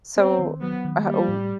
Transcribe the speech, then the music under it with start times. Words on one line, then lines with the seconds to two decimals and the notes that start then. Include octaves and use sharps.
so, uh oh,
0.17 B3 C4
0.39 D#3
0.62 F#3 B3
0.85 D#3
1.06 G3 A#3
1.28 A2